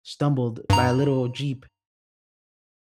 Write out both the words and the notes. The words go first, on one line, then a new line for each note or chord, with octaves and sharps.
stumbled by a little jeep,
G2 A#5